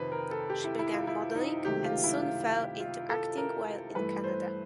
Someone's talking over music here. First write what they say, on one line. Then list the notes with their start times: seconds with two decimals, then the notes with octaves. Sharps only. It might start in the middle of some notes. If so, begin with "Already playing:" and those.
She began modeling and soon fell into acting while in Canada.
Already playing: F2 C3 D#3 B4 C5
0.12 A#4
0.31 A4
0.50 G4
0.64 E4
0.79 E4
0.93 F4
1.07 E4
1.35 D#4
1.64 C#2 C3 D#3 F#3 A3 G4
1.84 F4
2.04 E4
2.22 F4
2.80 F4
3.09 A4
3.37 A#4
3.95 G2 E3 A3 B4
4.24 C5